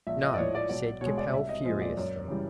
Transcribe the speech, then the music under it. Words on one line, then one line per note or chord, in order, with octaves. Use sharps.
"No," said Capel, furiously.
A#1 E5
D#5
D5
A2 F3 C#5
D5
B1 D5
B2 G#3 C#5
D5
C2 E5
D#5
A#2 F3 G#3 C4 D#5
D5
F#2
C#3 E3 G3